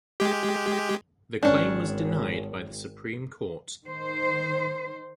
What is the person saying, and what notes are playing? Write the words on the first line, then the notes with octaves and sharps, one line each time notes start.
The claim was denied by the Supreme Court.
G#3 G4
G#1 C#4 D4
D#3 C5